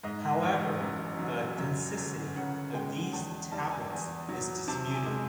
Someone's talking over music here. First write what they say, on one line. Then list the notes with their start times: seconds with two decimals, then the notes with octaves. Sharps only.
However, the authenticity of these tablets is disputed.
0.04 G#2 D#5
0.43 A1
0.81 F#2
1.19 F#3
1.58 F#2
1.97 G1
2.36 C#3 F#5
2.74 G#3 G5
3.13 E2 A5
3.51 G3 A5
3.71 G#5
3.90 E2
4.29 F#3
4.68 C3 A5
4.94 G#5
5.06 G#3